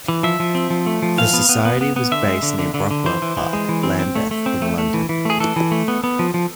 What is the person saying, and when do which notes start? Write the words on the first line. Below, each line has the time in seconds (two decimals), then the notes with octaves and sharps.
The Society was based near Brockwell Park, Lambeth in London.
0.08 E3
0.23 F3 E5
0.40 F3
0.55 C4
0.70 F3
0.86 A3
1.02 F3
1.18 E3 F5
1.33 B3
1.49 B3
1.65 B3
1.81 B3
1.96 B3
2.12 D3 E5
2.27 G#3
2.42 D3
2.59 D3
2.74 D3
2.91 D3
3.06 E3 C5
3.22 E3
3.37 E3
3.53 G#3
3.69 E3
3.83 C4
3.99 C4
4.15 A3
4.31 A3
4.46 C4
4.62 A3
4.78 A3
4.94 E3
5.09 E3
5.25 A3 G#4
5.40 E3 A4
5.56 E3
5.72 A3
5.88 B3
6.04 B3
6.19 F3
6.34 F3